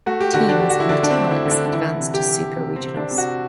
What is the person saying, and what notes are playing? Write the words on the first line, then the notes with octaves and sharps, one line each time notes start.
Teams in italics advanced to Super Regionals.
A3 F#4
G4
D3 F#4
D4
D3 G4
F#4
E4
D3 D4
D4
C4
A3
E4
D3
D4
D4
E3 E4
C3
G4
E3
C3
C4
C3
D4
C3
F#4